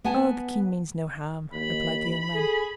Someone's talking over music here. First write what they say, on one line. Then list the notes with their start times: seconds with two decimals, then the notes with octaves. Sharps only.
"Oh! the king means no harm," replied the young man.
0.04 B3 F#5 G#5 A5
1.52 D#2 B5
2.34 G#4 A4